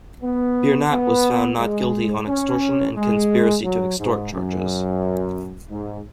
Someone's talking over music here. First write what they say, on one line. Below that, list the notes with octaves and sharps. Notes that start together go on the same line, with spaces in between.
Biernat was found not guilty on extortion and conspiracy to extort charges.
B3
B3
G#3
C#4
G#3
F#3
G#2
F#2
G#2